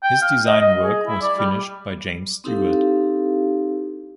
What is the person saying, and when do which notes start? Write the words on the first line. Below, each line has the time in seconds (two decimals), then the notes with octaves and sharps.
His design work was finished by James Stewart.
0.03 G5
0.21 F5
0.46 D#5
0.60 D#5
0.83 G#4
1.06 E4
1.22 D5
1.38 G3
2.44 C4 D#4 E4 G4 A4 F5